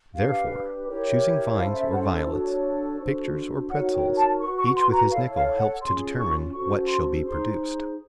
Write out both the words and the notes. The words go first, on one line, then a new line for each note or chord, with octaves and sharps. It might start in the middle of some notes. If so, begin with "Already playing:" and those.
Therefore, choosing vines or violets, pictures or pretzels, each with his nickel helps to determine what shall be produced.
D4 G4 B4 F5
E4 G4 A#4 C#5
C#4 E4 A4 C5 F5
E5
F#5
D4 F#4 A4 C#5
D4 F#4 A4 C5
D#4 F#4 A#4 C#5 F#5
G5
A5
F#4 B4 C#6
C#6
C6
A#5
E4 A4 C#5 F5
F5
F#5
C#4 F4 G#4 C6
C#6
C#4 F#4 A4 C5 C#6
C6
D#4 G#4 C5 C6